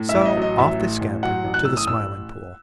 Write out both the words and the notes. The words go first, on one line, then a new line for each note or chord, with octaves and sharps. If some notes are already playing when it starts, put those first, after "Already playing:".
So off they scampered to the Smiling Pool.
Already playing: A2
E5
A1
E5
D#5
F#3
D#5
A1 E5
A2
A1
F#3 F#5
A1
F#6
A2 E6
D#6
A1 E6